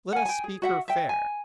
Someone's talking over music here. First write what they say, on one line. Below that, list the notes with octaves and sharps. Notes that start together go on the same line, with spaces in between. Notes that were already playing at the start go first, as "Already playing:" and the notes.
Let us speak her fair.
F#5 G#5
G5 G#5
G#4
F#4 E5 F#5
E5 G5
G#5